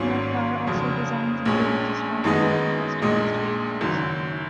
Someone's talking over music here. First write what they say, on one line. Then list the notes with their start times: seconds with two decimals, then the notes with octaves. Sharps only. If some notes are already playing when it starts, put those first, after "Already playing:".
Mopar also designs and builds a small number of customized vehicles.
Already playing: G#1 G#2 F#3 A#3 C#4
0.67 F1 F2 C#3 F#3
1.46 A#1 A#2 G#3 C#4
2.24 F#2 D#3 G#3 B3 D#4
3.02 A#1 A#2 G#3 D#4
3.81 F#1 F#2 D#3 F#3